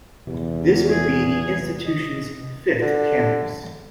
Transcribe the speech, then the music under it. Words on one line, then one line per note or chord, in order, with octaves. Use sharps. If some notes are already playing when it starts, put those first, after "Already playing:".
This would be the institution's fifth campus.
E2 C3
G#4
D#5
D3